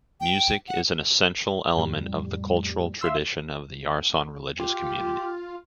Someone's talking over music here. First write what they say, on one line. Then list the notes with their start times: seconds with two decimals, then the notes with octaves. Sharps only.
Music is an essential element of the cultural tradition of the Yarsan religious community.
0.20 G5
0.68 F#5
1.77 F2 A2 G3
3.01 E5 F5 C6 E6
4.60 F4 G4